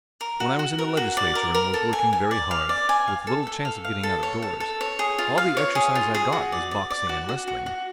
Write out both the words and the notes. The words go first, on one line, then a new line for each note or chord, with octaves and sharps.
When I was in the Legislature and was working very hard, with little chance of getting out of doors, all the exercise I got was boxing and wrestling.
A#4
F#4
F#4
A#4
F#4
D5
A#4
A#4
A4
G#5
G#5
D5
F5
D5
G#5
F5
A4
A4
F5
F5
A4
C#5
A4
A4
C#5
G#4
F4
F5
C#5
G#4
F4
G#4
F#4
D5
D5
D5
F#4
F#4
F#4
F#4